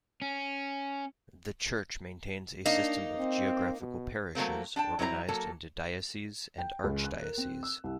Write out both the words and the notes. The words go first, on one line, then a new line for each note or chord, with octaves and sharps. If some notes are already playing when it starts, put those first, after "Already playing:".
The church maintains a system of geographical parishes organized into dioceses and archdioceses.
C#4
A#3 D4 D#4
C4
B2
F#3 A3 A#3 C4
D4 G5 A5
F#3 C4 E4 C#5 A#5
F#3 A#3 A4
G5
C#2
F#6
A#4
C4
E6
C2